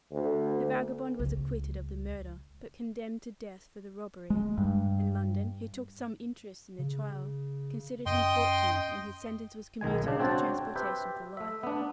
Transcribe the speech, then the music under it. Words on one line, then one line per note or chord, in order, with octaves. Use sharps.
The vagabond was acquitted of the murder, but condemned to death for the robbery, and London, who took some interest in the trial, considered him fortunate when his sentence was commuted to transportation for life.
D2
C#2
G#3
G2
C#3
F#2 D#5 G5 C6
B1 D#3 G#3 G#5
C#3 D4
C4 D4 F#4 C5 C#5 A5
G4 B4 C5 E5
A3 E5
B3 D4